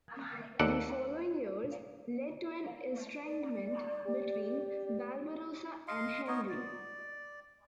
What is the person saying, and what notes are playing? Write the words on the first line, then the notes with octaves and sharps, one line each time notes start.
The following years led to an estrangement between Barbarossa and Henry.
D#2 A4 D5 F#5
D5
G4
D#5 F5 C6
B3 D#4 C#5 D#5
D5